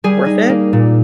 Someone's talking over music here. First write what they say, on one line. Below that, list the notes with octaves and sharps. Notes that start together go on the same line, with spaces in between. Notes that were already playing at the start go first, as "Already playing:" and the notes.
worth it?
G3 G#4
D#4
A#3
A#2